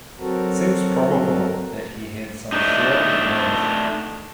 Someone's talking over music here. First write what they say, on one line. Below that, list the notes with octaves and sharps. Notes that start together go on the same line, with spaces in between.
It seems probable that he had some share in both.
F#3 C4 F#4 A4 A#4
A3 D4 D#4